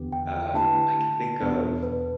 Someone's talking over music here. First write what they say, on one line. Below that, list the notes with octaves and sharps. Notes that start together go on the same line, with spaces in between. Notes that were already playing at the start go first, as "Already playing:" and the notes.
uh, I can think of
Already playing: E2 D3 B3 G4
G5
G5
D3 A3 E4 G4 B4 A5
E2 B2 B3 D4
B4